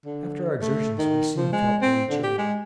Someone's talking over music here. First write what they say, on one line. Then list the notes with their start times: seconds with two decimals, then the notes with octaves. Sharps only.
After our exertions we soon felt very chilly.
0.06 D3
0.61 A3
0.98 D#3
1.37 F3
1.52 G#3
1.81 C4
2.10 D3
2.23 G4
2.38 G#3